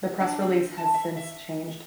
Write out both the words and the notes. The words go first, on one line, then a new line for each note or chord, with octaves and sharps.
The press release has since changed.
D4
C4
A5
E5
E5